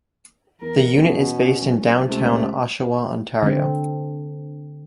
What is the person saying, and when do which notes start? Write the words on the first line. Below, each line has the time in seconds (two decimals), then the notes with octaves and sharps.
The unit is based in downtown Oshawa, Ontario.
0.62 E2 A#4
0.99 B2 C#4
1.61 F#1
2.08 C#2 C3 A3
3.43 D3 C4